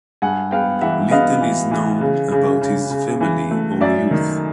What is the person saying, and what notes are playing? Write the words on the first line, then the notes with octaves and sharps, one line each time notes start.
Little is known about his family or youth.
G2 F#5 G#5
B3 F5 G5
E3 E5 F#5
B3 D#5 F5
E3
E3
C#3
C#3
C#3
C#3
E3
A3
F#2 D5 E5
D#3